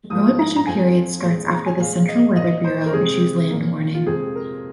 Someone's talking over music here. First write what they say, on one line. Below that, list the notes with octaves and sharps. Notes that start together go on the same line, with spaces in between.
The prohibition period starts after the Central Weather Bureau issues land warning.
G#2 F3 A#3 D#6
A#5
A#5
F2 F3 C4 G#5
A#2 G#3 C4
A#5
G#5
A#2 G#3 C4 F5
D#5
A#2 A#3 D#5
C5
A#4
C3 G#3 C4 G#4
A#2 A#3
F4
F2 C3 G#3 C4 G#4
A#4